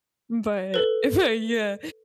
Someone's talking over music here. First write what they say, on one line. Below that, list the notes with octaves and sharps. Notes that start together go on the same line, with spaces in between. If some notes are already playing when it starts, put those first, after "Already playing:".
but if I Yeah.
A4 B4